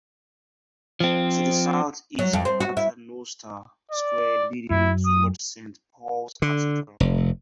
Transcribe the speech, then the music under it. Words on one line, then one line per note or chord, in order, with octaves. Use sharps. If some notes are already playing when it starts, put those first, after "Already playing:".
To the south is Paternoster Square leading towards Saint Paul's Cathedral.
F3 C4
F#3
F2
C4
F#4
E4
D5
F#2 F#3 E4
D#6
D3
F1